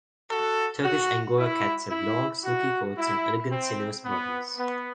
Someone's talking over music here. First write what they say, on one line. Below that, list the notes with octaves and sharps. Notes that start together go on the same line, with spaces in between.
Turkish Angora cats have long, silky coats and elegant, sinuous bodies.
F#4 A4
F#4
E4
E4
F#4
E4
C4
B3
B3